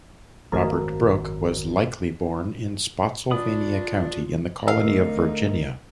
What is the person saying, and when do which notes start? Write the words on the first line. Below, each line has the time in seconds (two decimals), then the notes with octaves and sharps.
Robert Brooke was likely born in Spotsylvania County in the Colony of Virginia.
0.52 G#1 F#2 F3 A3 F#4 G#4 A#4 A#5
3.31 D4 F4 B5 D#6
4.68 D3 A3 D#4 A#4 F5 E6